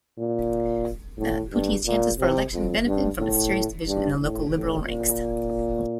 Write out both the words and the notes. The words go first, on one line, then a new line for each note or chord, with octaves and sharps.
Puttee's chances for election benefitted from a serious division in the local Liberal ranks.
A#2
A2
G2
A#2
C3
F2
G2
A2
G2
A2
A2
A#2